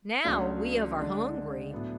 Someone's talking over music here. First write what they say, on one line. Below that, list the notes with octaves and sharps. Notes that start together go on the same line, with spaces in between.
"Now we of are hungry."
C#2 C#3 F#3 A3 D4
D3 G#3 D4
A2 F#3 B3 D4